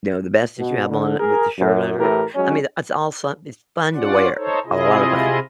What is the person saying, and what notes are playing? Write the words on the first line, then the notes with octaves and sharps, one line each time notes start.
you know, the vest that you have on with the shirt under it. I mean, that's all someth It's fun to wear, a lot of fun.
B2
D3
G#4 A#4
F#2
A2 E3 G4 A#4
F#3 G#3 C#4
C#4 F4 D5 F#5
D#4 A4 C5 C#5
C3 E4 F4 G#4 D#5